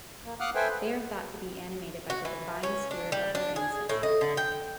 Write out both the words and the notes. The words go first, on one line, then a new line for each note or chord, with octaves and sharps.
They are thought to be animated by the divine spirit of their ancestor.
A#3
F5 F#5 D6 D#6 F6 F#6
A4 B4 C5 E5 G5 G#5
B4
F#4
E3
C#4
D4
G3
D4
G#4
A2
D#5
D3
G5